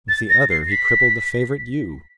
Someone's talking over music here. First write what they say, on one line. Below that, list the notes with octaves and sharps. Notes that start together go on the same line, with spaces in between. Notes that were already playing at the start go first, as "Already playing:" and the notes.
With the other he crippled a favorite ewe.
A6
A#6
C7
B6